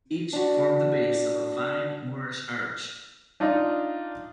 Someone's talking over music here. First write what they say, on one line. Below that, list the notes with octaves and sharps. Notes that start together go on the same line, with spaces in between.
Each formed the base of a fine Moorish Arch.
D4 F#4
D4 D#4 F4